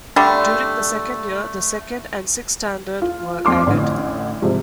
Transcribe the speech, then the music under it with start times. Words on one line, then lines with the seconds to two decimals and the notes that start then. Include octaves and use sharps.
During the second year, the second and sixth standard were added.
0.16 D3 G3 A3
3.02 F4
3.45 F2 C6 D6 F6
3.67 A1 D3
4.42 G#2 C3 F3 G3